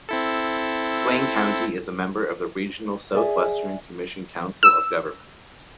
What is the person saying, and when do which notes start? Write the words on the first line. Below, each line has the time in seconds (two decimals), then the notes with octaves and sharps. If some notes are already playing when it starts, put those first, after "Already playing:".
Swain County is a member of the regional Southwestern Commission council of governments.
0.09 C4 E4 A4
3.14 G#4 D5 E5 G#5
4.63 E6